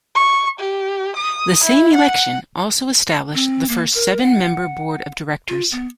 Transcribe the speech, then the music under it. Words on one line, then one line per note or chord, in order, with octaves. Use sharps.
The same election also established the first seven-member board of directors.
C#6
G4
D#6
E4
F#5
C4
A#3
A#4
F#5
F4
B3